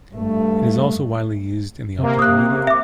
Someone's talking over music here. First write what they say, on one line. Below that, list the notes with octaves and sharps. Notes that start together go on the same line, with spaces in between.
It is also widely used in the optical media.
G2 A3
C3 A#3
D#6 F#6
E5 D6